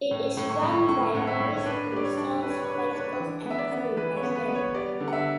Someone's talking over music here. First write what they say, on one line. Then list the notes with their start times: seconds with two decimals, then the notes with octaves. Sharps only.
It is run by Luis who sells bicycles and also repairs them.
0.11 A2
0.37 A2
0.50 C#6
0.61 A2 B5
0.72 C#6
0.89 A2 C#6
1.14 A2 F#5
1.27 E5
1.40 A2
1.57 C#5
1.66 D4 B4
1.92 G3 D5
2.04 C#5
2.17 D4
2.42 D4 B4
2.50 C#5
2.57 B4
2.64 C#5
2.69 D4 B4
2.79 C#5
2.86 B4
2.93 D4 C#5
3.00 B4
3.20 E3
3.46 B3 E5
3.59 D5
3.72 B3
3.97 E3 B4
4.16 C#5
4.23 B3
4.36 B4
4.49 B3
4.55 C#5
4.74 G3 D5
5.00 D3
5.08 F#5
5.13 E5